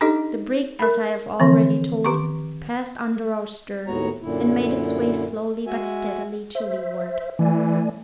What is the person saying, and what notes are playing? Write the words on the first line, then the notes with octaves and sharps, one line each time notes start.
The brig, as I have already told, passed under our stern, and made its way slowly but steadily to leeward.
D4 D#4 G4 A4 D#5
A#4 B5
D3 E3 F3 C4
D#3 G4 A#5 C#6
D#2 A2 B3 F#4 C#5 A#5
F#2 A#2 D3 E4
G#3 F#4 E5 G#5
C5 E5
E3 A3 D5 G#5